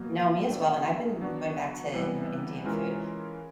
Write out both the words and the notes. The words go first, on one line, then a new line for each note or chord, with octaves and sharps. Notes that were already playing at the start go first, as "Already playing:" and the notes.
No, me as well and I've been going back to, you know, Indian food.
Already playing: B2 F#3 A#3
B2 F#3 A3 D4
F#3 B3 D4 F#4
C3 E3 G3 B3
E3 G#3 C#4 F4 A#4